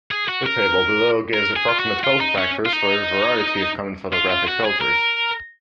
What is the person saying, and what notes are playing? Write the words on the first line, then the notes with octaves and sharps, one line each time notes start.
The table below gives approximate filter factors for a variety of common photographic filters.
G#4
F#4
A#4
A#4
G#4
F4
F#4
F4
D#4
C#4
F4
D#4
F4
F4
F#4
G#4
A#4